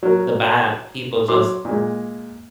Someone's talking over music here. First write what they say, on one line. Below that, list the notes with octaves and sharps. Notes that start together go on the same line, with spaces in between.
the bad people, just,
F#3 A#4
F#3 C6 D6
A#2 G#3